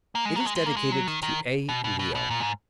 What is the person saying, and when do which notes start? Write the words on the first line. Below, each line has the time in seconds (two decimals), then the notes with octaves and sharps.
It is dedicated to A. Leo.
0.15 A#3
0.25 G#3
0.36 A#3
0.40 F#3
0.45 G#3
0.56 G#3
0.66 A#3
0.77 G#3
0.92 F#3
1.07 D#3
1.23 D#3
1.69 B2
1.84 B2
1.99 B2
2.15 B2
2.30 A#2
2.40 G#2